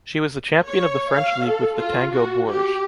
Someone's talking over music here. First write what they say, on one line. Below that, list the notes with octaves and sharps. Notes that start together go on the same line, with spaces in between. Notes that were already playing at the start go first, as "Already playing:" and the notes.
She was the champion of the French league with the Tango Bourges.
C#5
F5
A4
F4
F#4
G4